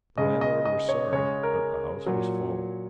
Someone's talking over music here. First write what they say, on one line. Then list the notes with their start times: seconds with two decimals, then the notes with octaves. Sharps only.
The landlord was sorry, but the house was full.
0.18 C#3 G#3 D#5
0.41 D#5
0.65 D#5
0.89 C#5
1.12 C#3 G#3 C#5
1.43 A#4
2.06 A#2 F#3